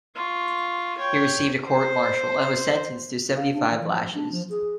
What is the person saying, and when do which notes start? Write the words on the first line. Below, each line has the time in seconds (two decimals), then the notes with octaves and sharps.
He received a court-martial, and was sentenced to seventy-five lashes.
0.15 F4 C#6
0.98 C#5 G5
1.68 C5
3.36 F5
3.54 D4
3.71 E3
3.85 F3
4.14 D4
4.32 F3
4.50 G#4